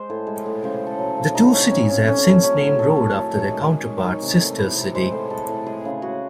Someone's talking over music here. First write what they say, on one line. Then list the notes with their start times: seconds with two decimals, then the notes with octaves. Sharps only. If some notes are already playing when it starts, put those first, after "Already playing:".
The two cities have since named roads after their counterpart sister city.
Already playing: G#3 C5
0.10 A2
0.27 G#3
0.46 A2
0.64 C#3 C5
0.82 A3 A4
0.99 F#3
1.17 C#3
1.35 C3 D#4
1.53 G#3 C#4
1.71 E3 C#4
1.88 C3 C#4
2.06 A2 C#4
2.25 A3
2.43 F#3 C#4
2.62 A2
2.79 D#3 A4
2.97 A3
3.15 F#3
3.33 D#3
3.51 G#3
3.68 D#3
3.87 G#3
4.05 D#3
4.22 C3
4.41 A3
4.58 E3
4.77 C3
4.95 G#3 C5
5.12 A2
5.30 G#3 A4
5.48 A2
5.66 G#3 G#4
5.85 C#3
6.02 G#3 F#4